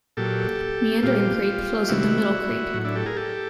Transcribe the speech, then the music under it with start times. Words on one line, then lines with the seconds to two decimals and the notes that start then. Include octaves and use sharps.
Meandering Creek flows into Middle Creek.
0.17 A#2 F#3 G4 A4
1.03 A#2 G3 F4 G4
1.88 C3 D#3 G3 E4 F#4
2.74 A2 F#3
2.85 D4 E4
2.95 G4 A4
3.06 G#4 A#4
3.16 G4 A4